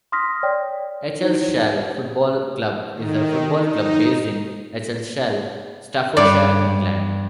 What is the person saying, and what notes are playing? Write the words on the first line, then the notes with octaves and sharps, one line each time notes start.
Eccleshall Football Club is a football club based in Eccleshall, Staffordshire, England.
C6 D#6 F6 A#6 B6
C#5 D5 G5
D#4 E4 C5 C#5
D#3
D#4
G2 D5